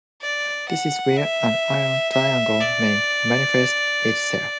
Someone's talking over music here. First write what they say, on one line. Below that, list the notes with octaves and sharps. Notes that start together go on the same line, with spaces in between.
This is where an iron triangle may manifest itself.
D5
F#5
E5
E5
D5